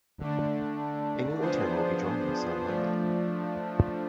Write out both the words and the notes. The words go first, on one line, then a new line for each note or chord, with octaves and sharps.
A new intern will be joining us on Monday.
D3 A3 D4
F3 B3 D4 G#4 C5
F3 A3 D4